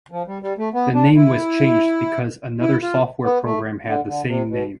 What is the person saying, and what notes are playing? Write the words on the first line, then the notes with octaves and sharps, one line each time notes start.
The name was changed because another software program had the same name.
F3
G3
G3
A3
B3
D4
E4
E4
F4
B3
A3
D3
D3
C3
B2